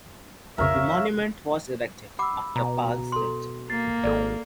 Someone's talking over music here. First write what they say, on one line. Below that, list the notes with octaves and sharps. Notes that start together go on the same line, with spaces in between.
The monument was erected after Pal's death.
B1 F2 C#3 A#4 C#5 E5 F5
F#5 B5 D6 E6
B2 A#5
A4 C6
A#3 A6 C7
G#1 A4 D5